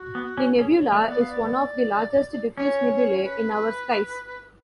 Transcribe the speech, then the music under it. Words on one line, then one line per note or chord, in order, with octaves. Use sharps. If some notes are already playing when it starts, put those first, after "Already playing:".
The nebula is one of the largest diffuse nebulae in our skies.
Already playing: F#4
B3
C#4
A4
C#4 G#4
C#5
A3 D5
B3 D5
F5
D5
C#4 C#5
B4